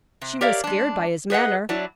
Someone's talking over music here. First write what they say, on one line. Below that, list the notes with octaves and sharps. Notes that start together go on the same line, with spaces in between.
She was scared by his manner.
C3
G4 A#4 C#5 D5 E5 F5
G#3 D4
G#4 B4 D#5 F#5
F#3 D4 E4 D5